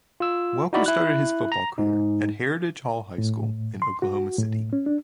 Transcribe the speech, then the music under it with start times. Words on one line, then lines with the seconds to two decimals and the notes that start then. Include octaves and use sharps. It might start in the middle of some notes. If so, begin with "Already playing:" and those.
Welker started his football career at Heritage Hall High School in Oklahoma City.
0.20 F4 E6
0.73 D#4 E4 F#4 D5 B5
0.86 E4 F#6
1.52 A#5
1.78 G#2 D#4
3.18 A2
3.82 C6
4.02 F#4
4.39 A2
4.73 C#4
4.86 D4